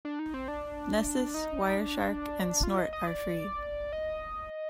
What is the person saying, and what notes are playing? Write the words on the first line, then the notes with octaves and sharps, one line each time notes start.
Nessus, Wireshark, and Snort are free.
D4
D#4
C4
D4
D#4
D4
F4
D#5
D#5
D5
D#5